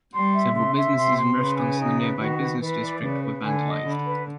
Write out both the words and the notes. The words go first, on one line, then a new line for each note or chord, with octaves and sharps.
Several businesses and restaurants in the nearby business district were vandalized.
G3 C6
E5
C#3 C6
E5
C3 C6
C6
C#3 B4
G#5
D#4
B4
D#3 F#4
B4
E3 B4
D5
C#3 B4
B4
D3 G#5
D#5
D3 B5
B4